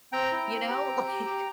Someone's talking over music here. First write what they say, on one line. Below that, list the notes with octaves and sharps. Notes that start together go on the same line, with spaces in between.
You know, like
C4 G5 A#5
E4
C4
G4
C4
G4
G4